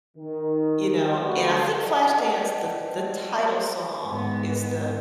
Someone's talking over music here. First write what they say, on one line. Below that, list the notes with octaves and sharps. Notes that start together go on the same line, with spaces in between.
you know, and I think "Flashdance," the the title song, is the
D#3
D3 F#3 A3 D4 F#4 B4
D5 D#5 F#5 G5 A5
G#2 B3